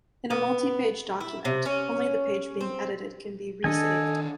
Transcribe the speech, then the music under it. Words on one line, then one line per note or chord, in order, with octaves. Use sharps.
In a multipage document, only the page being edited can be re-saved.
B3
E4
C3
C#4
C4
D#3 C4 D4 A4 D#5 G#5